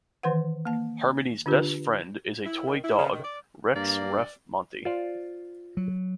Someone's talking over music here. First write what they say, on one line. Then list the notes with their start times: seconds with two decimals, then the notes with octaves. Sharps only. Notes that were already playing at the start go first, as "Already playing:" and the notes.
Harmony's best friend is a toy dog, Rex Ruff Monty.
0.23 D#3 E3 B4 C5 F#5
0.65 A#3 A5
1.46 D3 D4 F4 G4 B4
2.46 E4
2.67 D#3
2.84 E4
2.99 C#3
3.13 D#3
3.24 D5
3.76 G2 A#3 D5
4.85 F4 C5 D5
5.77 F#3